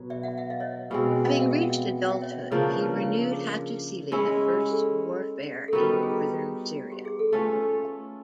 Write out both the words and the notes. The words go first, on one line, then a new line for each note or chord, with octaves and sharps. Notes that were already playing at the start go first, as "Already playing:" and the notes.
Having reached adulthood, he renewed Hattusili the First's warfare in northern Syria.
Already playing: B2 F#3
D5 E5
E5 F#5
E5 F#5
D#5 F5
C#5 D#5
B2 G#3 C4 B4
C5
D#5 F5
E5 F#5
F5 G5
E5 F#5
G5
E5 F#5
C#5 D#5
D5 E5
C5 D5
C#3 F3 A#3 D4 B4 C#5
B4
B4
C5
B4 C#5
C5
A#4
G#4
G#3 C#4 E4
G4
A4
A4
G3 B3 D#4 F#4 A#4
B4
C5
G#4
G4
G#4
A4
A3 C#4 F4 B4